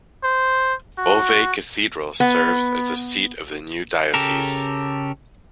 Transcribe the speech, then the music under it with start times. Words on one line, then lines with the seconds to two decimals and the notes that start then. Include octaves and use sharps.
Beauvais Cathedral serves as the seat of the new diocese.
0.24 C5
0.98 F#4
2.20 B3
4.14 C#3 G4 A4 A#4